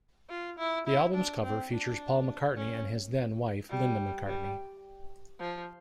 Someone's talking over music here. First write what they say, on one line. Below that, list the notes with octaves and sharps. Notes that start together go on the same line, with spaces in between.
The album's cover features Paul McCartney and his then-wife, Linda McCartney.
F4
E4
E4
D4
C4
D4
C#4
G3
G3
F3